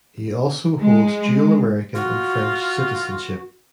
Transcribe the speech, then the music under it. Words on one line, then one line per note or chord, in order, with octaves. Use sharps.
He also holds dual American and French citizenship.
G#3
F4 F#4